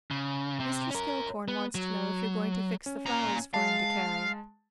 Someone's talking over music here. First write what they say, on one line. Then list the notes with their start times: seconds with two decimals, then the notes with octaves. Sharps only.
"Mr. Skillcorn wants to know if you're going to fix the flowers for him to carry?"
0.11 C#3
0.60 C3
0.91 C#4 A#4
1.48 B3
1.75 F#3
2.86 C#4
3.06 A#2 A#5
3.54 G#3 F5 A5